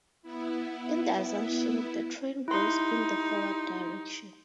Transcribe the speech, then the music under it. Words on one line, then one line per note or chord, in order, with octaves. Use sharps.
In the assumption the train goes in the forward direction.
B3 E4
D#4 E4 G4 C6